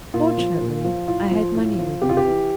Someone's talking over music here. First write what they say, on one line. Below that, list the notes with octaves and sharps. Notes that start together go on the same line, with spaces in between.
Fortunately I had money with me.
A#2 F4
F3
A#2
F3
A2 F4
F3
A2
F3
C3 G4
F4
G4
E3